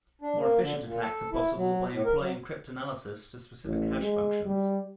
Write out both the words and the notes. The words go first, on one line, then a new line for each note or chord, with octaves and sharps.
More efficient attacks are possible by employing cryptanalysis to specific hash functions.
D4
A#3
D3
A#2
A4
E4
F#3
A2
A#4
F#3
A1
G#3
G3